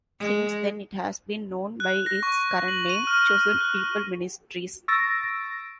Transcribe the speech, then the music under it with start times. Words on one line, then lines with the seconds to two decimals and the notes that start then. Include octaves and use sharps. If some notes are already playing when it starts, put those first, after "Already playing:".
Since then it has been known by its current name, Chosen People Ministries.
0.20 G#3
1.80 F#6
2.06 A#6
2.23 C#6
2.68 F#7
2.89 D#7
3.07 F6
3.61 F#6
4.88 C#6 E6 A6 A#6 D7